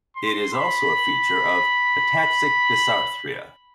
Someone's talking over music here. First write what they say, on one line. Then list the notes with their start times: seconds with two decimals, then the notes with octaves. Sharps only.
It is also a feature of ataxic dysarthria.
0.17 C6
0.54 B5